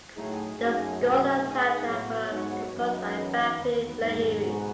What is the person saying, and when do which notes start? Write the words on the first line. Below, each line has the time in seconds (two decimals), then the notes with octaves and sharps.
The score and soundtrack were composed by Bappi Lahiri.
0.15 A2 F#3 A3 D#4 G#4
0.58 F#2 F#3 A3 D#4 G#4
1.00 B2 A3 D#4 G#4
1.43 B2 A3 D#4 G#4
1.86 A2 F#3 B3 F#4 C#5
2.30 G#2 F#3 B3 F#4 C#5
2.72 F#2 E3 B3 D#4
3.15 E3 B3 D#4
3.58 E2 D#3 F#3 B3
4.00 E2 G#2 D#3 F#3 B3
4.44 B2 G#3 B3 D#4 F#4